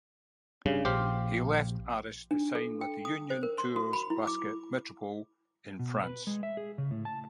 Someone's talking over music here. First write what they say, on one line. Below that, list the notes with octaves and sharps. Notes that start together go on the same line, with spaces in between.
He left Aris to sign with Union Tours Basket Metropole in France.
G2 C#3
A#1 G4 C5 F5
D4
A4
G5
D#6
C5
A#4
C6
F#4
B5
E4
D6
B2
B4
G#3
E5
G#4
C#3
A2
A5